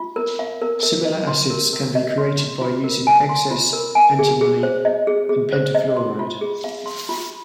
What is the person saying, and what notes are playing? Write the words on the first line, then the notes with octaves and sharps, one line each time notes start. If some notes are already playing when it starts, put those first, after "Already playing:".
Similar acids can be created by using excess antimony pentafluoride.
Already playing: F4
A#4
F5
A#4
A#4
D#5
C6
A#4
A#4
D#5
C6
C6
F4
A#4
G#5
C6
F4
A#4
G#5
G#4
G#4
C5
D#5
G#4
G#4
C5
D#5
C6
F4
G#4
F5
C6
F4